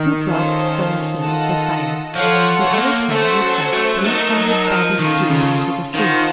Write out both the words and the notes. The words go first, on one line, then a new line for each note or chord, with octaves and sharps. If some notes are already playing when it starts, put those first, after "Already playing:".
Two broke, from the heat of the fire; the other ten were sunk three hundred fathoms deep into the sea.
Already playing: D#3
C#4 F4 A4 C5 F5
F4 A4 D#5 F#5 A5
F3 F4 A4 C#5 F#5
A3
A#3
A3 C#4 A4 C5 F#5 A5
F#3
A3
F#3
A3 D#4 A#4 D#5 A5
F#3
F3
D#3 C#4 F4 A4
C#3
D#3 F4 C5 F#5 A5